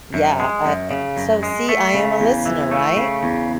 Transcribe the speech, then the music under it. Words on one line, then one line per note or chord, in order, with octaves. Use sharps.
yeah, I, uh So see, I am a listener, right?
F#2
G#3
F#2
C#3
F#2
G#3
A3
C#3
E2
E3
A3
C#3
E2